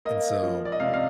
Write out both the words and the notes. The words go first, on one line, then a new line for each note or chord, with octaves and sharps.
And so
A#3 D#5
F3
D5
D#5
C3 F5
F5